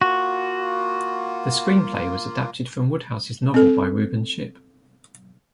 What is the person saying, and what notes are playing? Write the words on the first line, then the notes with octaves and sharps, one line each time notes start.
The screenplay was adapted from Wodehouse's novel by Reuben Ship.
A#3 F4 F#4
C4 A4